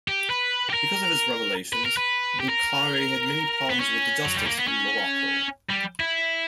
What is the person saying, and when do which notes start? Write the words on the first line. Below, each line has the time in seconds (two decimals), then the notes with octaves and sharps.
Because of his revelations, Boukhari had many problems with the justice in Morocco.
0.08 G4
0.30 B4
0.70 G4
0.74 A#4
1.73 B4
1.85 A#4
1.97 B4
2.40 G4
2.49 A#4
3.70 B3
3.80 C#4
4.25 F#3
4.36 G3
4.46 A#3
4.58 B3
4.68 C#4
5.70 G3
6.00 E4